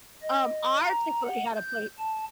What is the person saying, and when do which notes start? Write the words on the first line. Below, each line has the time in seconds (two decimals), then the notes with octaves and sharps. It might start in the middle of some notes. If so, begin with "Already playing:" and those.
um, our Chick-fil-A had a plate.
0.23 D#5
0.83 A#5
1.25 F#5
1.55 G6
1.98 A5